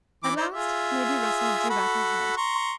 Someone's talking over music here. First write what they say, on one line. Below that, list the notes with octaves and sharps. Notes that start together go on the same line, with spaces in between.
At last, Lady Russell drew back her head.
E3 D6
D#4 C5 D5
F4 G#4 E5
F#4 A4 B5
A#5 C6 C#6